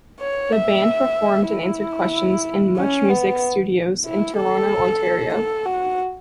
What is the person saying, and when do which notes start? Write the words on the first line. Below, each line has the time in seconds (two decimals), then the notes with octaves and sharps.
The band performed and answered questions in MuchMusic's studios in Toronto, Ontario.
0.20 C#5
0.53 E5
1.49 E4
2.77 C#4
3.09 B3
4.06 E4
4.38 A4
5.34 A4
5.66 F#4